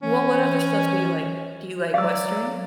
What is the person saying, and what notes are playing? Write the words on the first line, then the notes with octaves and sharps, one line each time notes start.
Well, what other stuff do you like? Do you like Westerns?
E3 C#4
F#3 D5 F5 E6